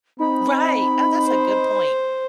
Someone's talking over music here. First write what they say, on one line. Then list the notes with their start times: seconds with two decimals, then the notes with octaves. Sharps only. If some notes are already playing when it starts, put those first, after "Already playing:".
Right, oh, that's a good point.
0.19 C4 D#4 B5
1.26 C5